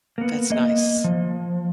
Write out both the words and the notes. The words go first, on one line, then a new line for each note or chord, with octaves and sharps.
That's nice,
A#3 B3
A#3 D#5
F3